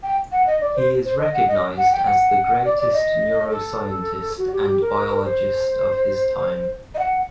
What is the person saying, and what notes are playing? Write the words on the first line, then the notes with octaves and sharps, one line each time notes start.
He is recognized as the greatest neuroscientist and biologist of his time.
G5
F#5
D#5
D5
C5
C5
D#5
F#5
D#5
F#5
G5
F#5
D5
D5
D#5
A4
F#4
G4
G4
A#4
C5
D#5
F#5